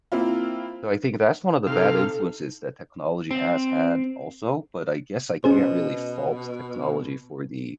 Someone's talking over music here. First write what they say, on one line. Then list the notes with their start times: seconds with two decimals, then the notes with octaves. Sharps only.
So I think that's one of the bad influences that technology has had also, but I guess I can't really fault technology for the,
0.12 A#3 C4 E4 F4
1.67 C3 D#4 A4 F5
3.31 C4
5.44 B2 C#4 G#4 C5